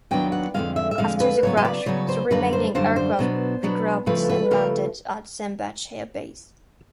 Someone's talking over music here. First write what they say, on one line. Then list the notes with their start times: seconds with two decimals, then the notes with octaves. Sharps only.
After the crash, the remaining aircraft regrouped and landed at Sembach Air Base.
0.11 D#2 D#3 F#3 B3 D4 G5
0.32 F#5
0.54 F2 D3 F3 G#3 F5
0.76 E5
0.91 E5
0.98 F2 D3 F3 G#3 F5
1.20 B4
1.43 C#3 F#3 B3 C#5
1.57 D#5
1.65 D5
1.86 C#3 F#3 B3 C#5
2.09 C5
2.31 F#2 D3 G3 A#3 D4 B4
2.53 C5
2.75 F#2 D3 G3 A#3 D4 C5
2.96 C5
3.19 B2 F#3 B3 D4
3.63 B2 F#3 B3 D4
4.06 C#3 F3 A3 B4
4.29 B4
4.51 C#3 F3 A3 A#4